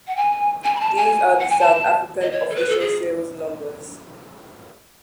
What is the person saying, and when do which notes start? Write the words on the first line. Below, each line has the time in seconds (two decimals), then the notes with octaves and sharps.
These are the South African official sales numbers.
0.07 F#5
0.16 G#5
0.64 G#5
0.75 B5
0.80 A5
0.96 G#5
1.39 F#5
1.49 G#5
1.59 A5
2.21 D#5
2.32 C#5
2.49 A4
2.55 B4
2.69 A4
2.79 G#4